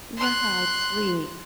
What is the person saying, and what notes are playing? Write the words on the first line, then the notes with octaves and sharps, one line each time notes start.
Yeah, it's sweet.
C6 F#6